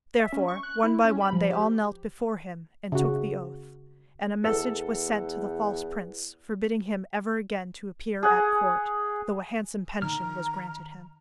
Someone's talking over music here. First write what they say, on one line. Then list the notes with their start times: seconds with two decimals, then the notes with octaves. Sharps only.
Therefore one by one they all knelt before him and took the oath, and a message was sent to the false prince, forbidding him ever again to appear at court, though a handsome pension was granted him.
0.20 E5
0.33 C#4
0.48 C#6
0.63 F#6
0.83 E4
1.04 C#4
1.21 B5
1.33 F3
1.50 G4
2.92 C#3 F#4
4.44 E2 A4
8.23 G#4 F#5
10.02 D#3 A#5 F6